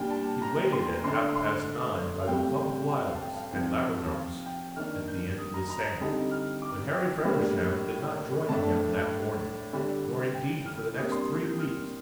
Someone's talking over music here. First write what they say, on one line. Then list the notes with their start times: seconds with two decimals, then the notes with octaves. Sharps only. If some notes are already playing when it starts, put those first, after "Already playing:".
He waited at half-past nine by the clump of lilacs and laburnums at the end of the sand, but Harry Feversham did not join him that morning, nor indeed for the next three weeks.
Already playing: A#2 G3 D4 G5
0.10 A5
0.42 A#5
0.73 C6
1.04 D3 A3 D4 C6
1.36 C6
2.20 F5
2.28 A2 G3 C4 G5
2.60 G5
2.91 G5
3.06 F5
3.15 A5
3.21 G5
3.37 F5
3.52 C3 F3 C4 D#4 G5
3.83 A5
4.14 F5
4.46 G5
4.76 D#3 A#3 D4 F6
5.08 G6
5.38 D#6
5.54 A#5
5.70 A#5
5.85 A5
6.00 D3 G3 C4 D#4
6.31 F6
6.62 D6
6.93 G5
7.25 A2 G3 A#3 D4
8.49 A2 A3 D4 A5
8.79 A5
9.73 D3 G3 D4
10.35 G5
10.66 F6
10.97 C3 G3 A#3 D4 D#6
11.12 C6
11.44 G6
11.59 F6